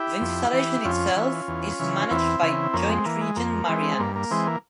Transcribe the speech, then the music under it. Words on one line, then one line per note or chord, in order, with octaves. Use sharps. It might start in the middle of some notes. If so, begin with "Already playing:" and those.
The installation itself is managed by Joint Region Marianas.
Already playing: E4 G4
F2
E3
F2 C#4 F4
E3
E2
C#3 E3
E2 C4 E4
C#3 E3
F2 A#3 C#4
G#3 C4
E3 A#3
G#3
F2 A#3
E3 G#3 C4
G2 A#3
A#3
E3 G#3 C4
A#3